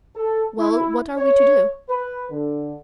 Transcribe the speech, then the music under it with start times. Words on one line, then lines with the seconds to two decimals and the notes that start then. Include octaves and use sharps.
"Well, what are we to do?"
0.16 A4
0.59 E4
1.17 C#5
1.89 B4
2.30 D3